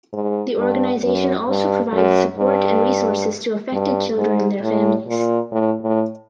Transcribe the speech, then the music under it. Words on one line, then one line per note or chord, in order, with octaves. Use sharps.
The organization also provides support and resources to affected children and their families.
G#2
G2
F#2
G2
F#2
G2
G2
G#2
A2
A#2
A2
A2